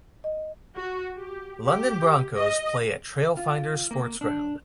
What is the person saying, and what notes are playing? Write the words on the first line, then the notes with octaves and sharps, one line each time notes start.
London Broncos play at Trailfinders Sports Ground.
D#5
F#4
G4
G4
D#5
F4
A#3
D4